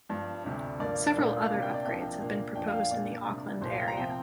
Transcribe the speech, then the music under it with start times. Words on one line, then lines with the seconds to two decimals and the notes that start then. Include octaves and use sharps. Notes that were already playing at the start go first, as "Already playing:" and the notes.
Several other upgrades have been proposed in the Auckland area.
0.09 G2 F3 D4
0.44 D2 C3 G3 D4
0.79 G2 F3 A#3 D5
1.14 A#2 G3 A#3 D4
1.43 F5
1.50 C3 A#3 D4 D5
1.62 G5
1.74 D5
1.85 C2 C3 F3 A#3 D4 G5
2.21 A#2 A#3 D4
2.56 F2 F3 D4 G5
2.68 F5
2.79 F5
2.91 A#2 A#3 D4 D5
3.26 C3 G3 D4
3.61 C2 A#2 F3 C5
3.70 F5
3.80 G5
3.88 A#5
3.96 C3 F3 C4 G5